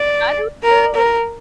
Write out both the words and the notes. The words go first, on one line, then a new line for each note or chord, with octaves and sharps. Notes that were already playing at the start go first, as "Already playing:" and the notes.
I do too!
Already playing: D5
A#4
A#4